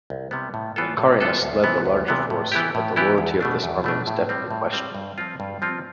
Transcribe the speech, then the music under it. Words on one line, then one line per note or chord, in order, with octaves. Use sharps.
Carinus led the larger force, but the loyalty of this army was definitely questionable.
C2
C3 G3 B3
A2
E3 B3 F4 A4
A2
E3 B3 F4 A4
D2
C3 E3 B3
D2
C3 E3 B3
A2
E3 B3 E4 G4
A2
E3 B3 E4 G4
E2
B2 A3 D4
E2
B2 A3 D4
A2
G3 C4
A2
G3 C4
G2
F3 C4 F4
G2
F3 C4 F4